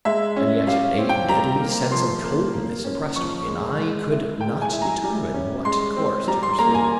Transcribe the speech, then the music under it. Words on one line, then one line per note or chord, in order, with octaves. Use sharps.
And yet, a deadly sense of coldness oppressed me and I could not determine what course to pursue.
G#3 E5
C#4
G3 F5
C4
G5
G3 A#5
A#3
F3 C6
A#3
A#3
C#4
F3 C#6
G#3
G#3
E4
G#3 G5
G#5
E4
A#5
G3
C#4
G#3 C6
C4
G3 A#5
C6
A#3 A#5
G#5